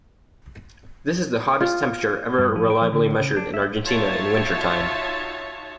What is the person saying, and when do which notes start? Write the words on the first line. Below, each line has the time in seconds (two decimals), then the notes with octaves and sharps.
This is the hottest temperature ever reliably measured in Argentina in winter time.
1.61 F4
2.39 G2
2.56 F3
2.70 G5
2.81 F3
2.93 D3
3.21 C#3
3.37 D4
3.54 E5
3.83 D#4 F4 F#4 C#5 E5 A5